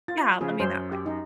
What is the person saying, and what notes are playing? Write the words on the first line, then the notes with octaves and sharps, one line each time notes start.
yeah, I mean that way.
F4 A6
C#3 F3 G#4
F#2 C#4 C5
G4
D#4